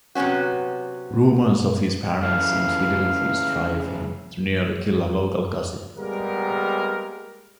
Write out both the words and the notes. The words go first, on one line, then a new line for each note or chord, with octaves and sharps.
Rumors of his parents' infidelities drive him to nearly kill a local gossip.
C3 F#3 B3 C#4 F#4
C#3 E3 A3 F5
G3 G#3 A#3 B3 G#4 A#4